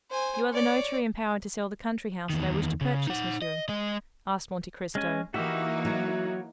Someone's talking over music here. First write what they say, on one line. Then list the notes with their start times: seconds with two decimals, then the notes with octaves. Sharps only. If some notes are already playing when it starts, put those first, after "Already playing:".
"You are the notary empowered to sell the country house that I wish to purchase, monsieur?" asked Monte Cristo.
0.10 C5 G#5
0.52 C#5 D5
2.30 E2 D#3
2.81 C#3
3.07 D#4 F#5
3.42 D#5
3.69 G#3 D#5
4.95 G#3 C#4 G#5
5.34 E3 A#3 D#4 F#4 G4 E5
5.85 F#3